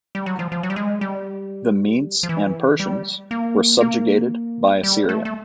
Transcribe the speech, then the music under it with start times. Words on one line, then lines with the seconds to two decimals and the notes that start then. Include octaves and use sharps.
The Medes and Persians were subjugated by Assyria.
0.15 G3
0.26 F#3
0.39 F3
0.52 F3
0.63 F#3
0.70 G3
0.76 G#3
1.01 G3
2.23 F3
2.29 E3
2.80 G3
3.31 A#3
3.81 A#3
4.83 G3
5.09 A3
5.25 A3